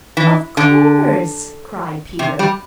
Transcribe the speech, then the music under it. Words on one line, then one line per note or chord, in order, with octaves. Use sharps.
"Of course," cried Peter.
E3
D3
C3
G3